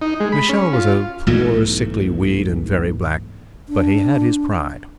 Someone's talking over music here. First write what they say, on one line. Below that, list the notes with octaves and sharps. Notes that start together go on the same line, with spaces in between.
Michele was a poor, sickly weed and very black; but he had his pride.
D#4
G#3
B5
C#4
F4
B1 G#2 E3 A3
D4